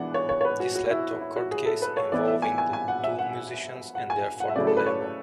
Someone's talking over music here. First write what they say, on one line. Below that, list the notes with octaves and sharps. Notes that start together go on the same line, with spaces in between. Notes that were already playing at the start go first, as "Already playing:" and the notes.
This led to a court case involving the two musicians and their former label.
Already playing: E3 G#3 B3 D4 D5 F#5
C#5
C#5
C#5
B4
F#4
F#4
E4
E4
F#4
G#4
A4
B4
C#5
E3 B3 E4 D5
E5
G#5
G#5
G#5
F#5
E5
F#5
F#5
G#5
F#5
E5
C#3 F#3 A3 E4 D5
A4
B4
C#5